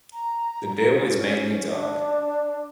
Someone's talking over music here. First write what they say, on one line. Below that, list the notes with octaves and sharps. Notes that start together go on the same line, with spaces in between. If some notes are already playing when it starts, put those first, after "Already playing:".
The bill is mainly dark.
A#5
C#4
D4